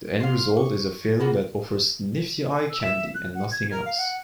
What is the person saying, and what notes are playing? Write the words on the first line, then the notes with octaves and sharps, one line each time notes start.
The end result is a film that offers nifty eye-candy and nothing else.
F5 C6
C#6
A#3 B3 F4 F#4 G#4
G#5
E6
E5
F#6
F#5
G#6
A#4
F5
F#5